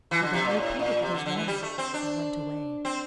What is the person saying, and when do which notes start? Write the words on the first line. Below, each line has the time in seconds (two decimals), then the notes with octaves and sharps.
He then repeated his warning and went away.
0.11 E3
0.22 D3
0.34 C3
0.45 A#2
0.57 A2
0.79 A#2
1.02 C3
1.14 D3
1.26 D3
1.36 E3
1.48 G3
1.63 A3
1.78 C4
1.94 D4
2.85 C4